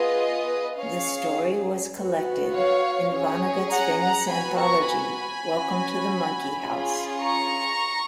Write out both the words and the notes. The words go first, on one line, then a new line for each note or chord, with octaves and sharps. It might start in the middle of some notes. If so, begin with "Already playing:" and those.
The story was collected in Vonnegut's famous anthology "Welcome to the Monkey House".
Already playing: B3 F4 G#4 B4 D#5
C#4 G#4 C#5 F5
B3 F#4
C#5 F5
C#4 G#4 C#5
F#5 A#5
F#5 A#5
B3 F#4 G#5 B5
A#5 C#6
G#5 B5
C#4 F#4
C#4 F4 G#4
A#5 C#6